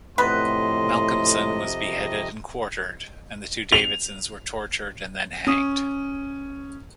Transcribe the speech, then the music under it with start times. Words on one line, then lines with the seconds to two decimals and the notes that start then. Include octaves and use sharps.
Malcolmson was beheaded and quartered and the two Davidsons were tortured and then hanged.
0.18 F2 A2 C3 B3 B4 D#5 C6
3.72 F7
5.47 C#4 D#6